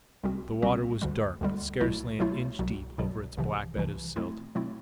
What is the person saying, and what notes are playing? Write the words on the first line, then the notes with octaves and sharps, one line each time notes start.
The water was dark but scarcely an inch deep over its black bed of silt.
C2 C3 G3 C4 F#4
C2 C3 G3 C4 F#4
D2 D3 G3
D2 D3 G3
C2 B2 F#3 A3 E4
C2 B2 F#3 A3 E4
C2 B2 F#3
C2 B2 F#3
C2 C3 E3
C2 C3 E3
B2 F#3 A3 C4 E4
B2 F#3 A3 C4 E4